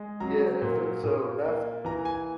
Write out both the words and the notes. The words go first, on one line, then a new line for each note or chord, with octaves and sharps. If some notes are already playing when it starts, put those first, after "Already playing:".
yeah, so that's
Already playing: G#3
F#3 A#5
A#2
A#2
A#3
E3 A#5
G#5